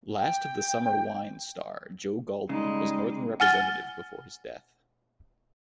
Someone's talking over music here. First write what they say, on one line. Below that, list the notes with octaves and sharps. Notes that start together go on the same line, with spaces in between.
"Last of the Summer Wine" star Joe Gladwin was Northern representative before his death.
G5
C#3 G3 G#3 D#4
F#5 G#5 F6 A6 G7